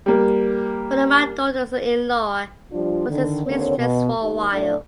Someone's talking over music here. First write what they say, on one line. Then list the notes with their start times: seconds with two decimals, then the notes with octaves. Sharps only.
One of my daughters-in-law was his mistress for a while.
0.06 G3 A#3
2.72 F3 G3 D4 F4
3.08 D3 D#3
3.46 D#2 D3 A#3 C4 C#5
3.77 B2
4.21 D#2
4.52 A2 A3 D4 D5